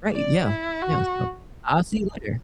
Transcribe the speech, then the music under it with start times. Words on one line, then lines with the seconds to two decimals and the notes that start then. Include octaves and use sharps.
Right, yeah, yeah, so I'll see you later.
0.12 D5
0.47 E4
0.82 F#4